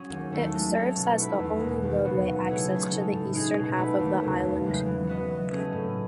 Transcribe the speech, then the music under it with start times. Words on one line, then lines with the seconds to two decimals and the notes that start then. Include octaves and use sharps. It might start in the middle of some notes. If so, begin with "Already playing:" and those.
It serves as the only roadway access to the eastern half of the island.
Already playing: F#3 C#4 G#4
0.10 D#2
0.31 D#3 A3 E4 A4
0.53 G#3
0.75 D#4 A4 C#5
0.96 B2
1.18 A3 E4 B4
1.40 E2
1.61 B2 G#3
1.83 D#2
2.04 C#3 F#3 B3 F#4
2.26 B2
2.48 A3 E4 G#4 C#5
2.70 C#3
2.91 G#3 D#4 A4
3.12 A2
3.33 G#3 D#4 G#4
3.57 B2
3.77 A3 E4 B4
3.99 D#2
4.20 C#3 F#3 A3
4.43 E2
4.64 C#3 E3 G#3
4.86 E3
5.07 B3 F#4 B4 D#5
5.29 F#3
5.51 A3 C#4 G#4 D#5
5.73 A2